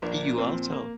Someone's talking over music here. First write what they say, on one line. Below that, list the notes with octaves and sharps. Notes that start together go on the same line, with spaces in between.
You also.
A#1 A#3 D4
A#2 F3 C4
A#3